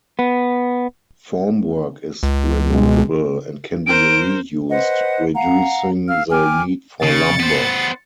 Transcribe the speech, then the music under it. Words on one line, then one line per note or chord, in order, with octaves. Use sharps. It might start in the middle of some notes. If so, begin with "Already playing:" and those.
Formwork is removable and can be reused, reducing the need for lumber.
B3
C#2
B2 G#3
A#4 C5 D7
B4 C5 D#5 F#5
F5 F#5 A#5
F5 E6 F6
G5 G#5 D6 F6
C#3 A6 C#7
B3 C5